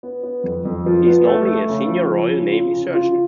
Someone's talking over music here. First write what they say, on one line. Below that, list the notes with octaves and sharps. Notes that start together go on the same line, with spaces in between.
He is normally a senior Royal Navy surgeon.
B3
B3
F2
F2
F3
B3
A3
A3
C#3
F3
F3
C#3
F4
C#3
F4